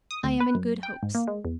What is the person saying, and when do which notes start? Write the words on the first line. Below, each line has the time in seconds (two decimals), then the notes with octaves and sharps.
'I am in good hopes.
0.11 D#6
0.24 D2
0.40 B4
0.55 F#2
0.83 G5
1.03 G#2
1.15 A#3
1.28 G#3
1.45 E2